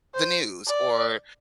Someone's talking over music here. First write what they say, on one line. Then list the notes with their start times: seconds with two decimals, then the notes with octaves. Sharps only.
the news" or,
0.14 C5
0.67 D5